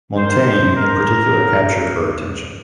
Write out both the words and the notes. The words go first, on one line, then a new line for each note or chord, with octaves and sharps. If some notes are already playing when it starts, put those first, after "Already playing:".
Montaigne in particular captured her attention.
D#3 A#3 C5
A#4
C#3 F#3 A#3